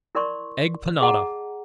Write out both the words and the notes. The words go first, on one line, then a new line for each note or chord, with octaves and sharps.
Egg Panada.
E4 A#4 D5 C6 C#6
G#4 D#5 F#5 A5 A#5